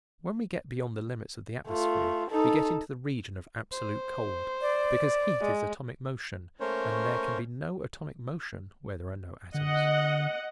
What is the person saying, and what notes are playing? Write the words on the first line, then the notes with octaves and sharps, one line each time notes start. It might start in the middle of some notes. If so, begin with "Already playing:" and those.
When we get beyond the limits of the atmosphere we get into the region of absolute cold, because heat is atomic motion, and there can be no atomic motion where there are no atoms.
A3 F4
D#4 A4
C5
D5
G#3
A3 A#3 C#4 A#4 C5 C#5
D3 D#5 F#5